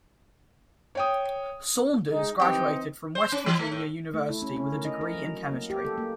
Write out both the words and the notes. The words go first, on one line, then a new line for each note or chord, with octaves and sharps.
Saunders graduated from West Virginia University with a degree in chemistry.
C#5 G5 D#6
G#3 D#4
E3 C4 D#4 G4 G5
C5
C#4
E3
A3
A2
A3
E4
C#4
C#4
A#4
D#5
A#4
F#3
A#3
G4
A4
A#3